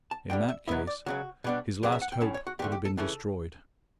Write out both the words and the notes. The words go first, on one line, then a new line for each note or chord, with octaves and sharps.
In that case his last hope would have been destroyed.
A5
G2 D3 G3 G5
E5
B2 F#3 B3 E4 E5
D5
C#2 C#3 F#3 F#4
B2 G3 B3 D4
E2 C#3 F#3 B3 G4
E5
F#5
G5
A2 F#3 C#4 A5
C#5
F#4
E2 D3 A3 G4
G4
A4
C#3 E3 A3 C#4 A4